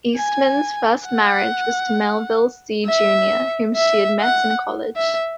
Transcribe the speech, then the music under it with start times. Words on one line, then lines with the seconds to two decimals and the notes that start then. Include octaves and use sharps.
Eastman's first marriage was to Melville See Junior whom she had met in college.
0.17 G#5
1.07 F#5
2.87 E5
3.76 E5
4.21 F#5
4.96 E5